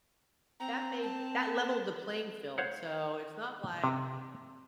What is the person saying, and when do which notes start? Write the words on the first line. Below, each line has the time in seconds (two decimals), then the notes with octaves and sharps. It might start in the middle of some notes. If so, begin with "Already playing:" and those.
that made that leveled the playing field, so, it's not like
0.60 C4 A#5
1.02 A5
2.58 C5 C#5 F5 F#5
3.84 C3